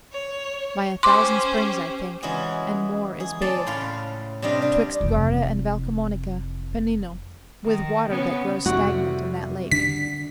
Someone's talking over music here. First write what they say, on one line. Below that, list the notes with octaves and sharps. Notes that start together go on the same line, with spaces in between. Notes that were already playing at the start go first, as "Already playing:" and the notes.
By a thousand springs, I think, and more, is bathed, 'Twixt Garda and Val Camonica, Pennino, With water that grows stagnant in that lake.
C#5
C#4 G4 C5 C6 D6
C#3 E3 G#3 F#4 G#4
G#4
C#4 D5 A5 C6
A2 C#3 F5 C6
C3 G3 D4 D#5 F5
D4
F1 E3
D#3
C#3 B3 C#4
F2 C3 G3 E4 F#4 C#6
D3 D4 B6